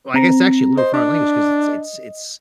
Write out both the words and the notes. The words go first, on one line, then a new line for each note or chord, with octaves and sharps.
well, I guess actually a literal foreign language 'cause it's it's it's
C4 A#5
C5 D#5
D4